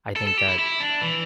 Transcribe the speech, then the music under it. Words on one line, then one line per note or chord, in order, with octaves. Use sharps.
I think that
A4
A4
G4
E4
E4
D4
E3